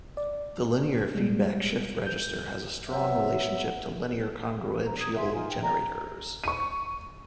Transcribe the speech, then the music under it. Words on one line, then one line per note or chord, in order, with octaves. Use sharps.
The linear feedback shift register has a strong relationship to linear congruential generators.
D5
G3 G#3
G6
F#3 B3 E5
A#5
D6 D#6 G#6
G#4 E5 C6
D#4 F4 G#5
G5
D5 G5 A#5
C#6 D#7